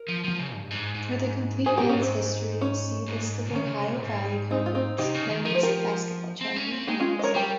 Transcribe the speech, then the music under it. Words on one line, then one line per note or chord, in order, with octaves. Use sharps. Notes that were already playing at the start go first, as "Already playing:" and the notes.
For the complete men's history, see List of Ohio Valley Conference men's basketball champions.
Already playing: A#4
F3
F3
C#3
G2
G#2
G#2
G#2 G#4 C5
A#2 G4 A#4
G#2 C#4
C4
C#4
G#2
D#3 C#4
C#3
C3
A#2
G#2
C4 D#4
F4
C4 D#4
C3 D#4 G4
C#3
D#3
F3 A#4
C5
G4 A#4
C4
C#4
C4
G#3 D#4 G4
C#4 F4
D#5
A#4 C#5
G3 G4 A#4